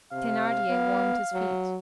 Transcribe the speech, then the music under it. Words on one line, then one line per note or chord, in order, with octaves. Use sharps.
Thenardier warmed his feet.
C3 F5
B3
F#3